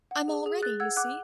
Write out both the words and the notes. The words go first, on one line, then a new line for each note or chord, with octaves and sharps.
I'm all ready, you see.
F#5
G#4
G#4
G#4 F#6 A6
F#5 E6 G#6
F#5 D6 F#6